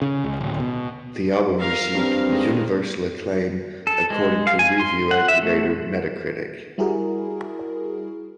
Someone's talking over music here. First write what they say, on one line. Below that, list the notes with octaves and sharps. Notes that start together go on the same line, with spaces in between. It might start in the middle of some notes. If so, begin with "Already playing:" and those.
The album received "universal acclaim" according to review aggregator Metacritic.
C#3
C#2
D1
B2
A#4 F5
G2 C4
D#3 G#3
A4
G#3
F5
G#5
C6
F#5
E5
A3
G3 E4 F#4 G#4 A#4